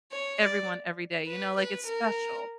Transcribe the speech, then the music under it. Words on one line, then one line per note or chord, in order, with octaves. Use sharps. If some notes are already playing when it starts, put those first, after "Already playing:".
everyone every day. You know, like, it's special.
C#5
D5
B4
B4
A#4